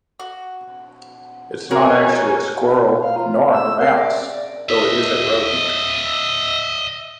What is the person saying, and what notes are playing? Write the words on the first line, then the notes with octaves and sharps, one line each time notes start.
It is not actually a :squirrel, nor a :mouse, though it is a rodent.
F#4
F#4 G#4 A#4 C#5 G#5 A#5
F5
F4 A#5
E6
A#4 C7
G#4 D5 E5 F5
D#5 E5